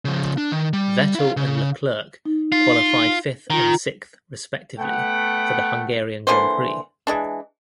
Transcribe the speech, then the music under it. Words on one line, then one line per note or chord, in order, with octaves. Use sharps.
Vettel and Leclerc qualified fifth and sixth respectively for the Hungarian Grand Prix.
C#3 F3
D4
D#3
G3
E4 F5
C#3
D#4
F4
D#3 F4 A#5
A3 B3 F#5 G5
D3 E3 A#3 C5
E3 G#3 D4